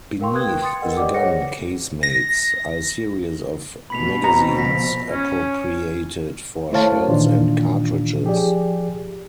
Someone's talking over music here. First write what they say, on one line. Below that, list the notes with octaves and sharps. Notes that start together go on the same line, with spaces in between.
Beneath the gun casemates are a series of magazines appropriated for shells and cartridges.
A#4 F5 G5 C6 C#6
B4 G5 D#6 F#6 G#6
C6 D#6 A6 C#7
A#4 B4 D#5 F#5 G5
G4 B4 D5 D#5 F#5 D6
G#4 C5 C#5 F#5 A#6 C#7
A#6
B2 B5 B6 F7
C4 A#5
F3 A#6 B6
C#4
A3 E4 C5 C#5 F5 A5
A#2 D#3 E3 D4 F4
F3 G4 G#4 D5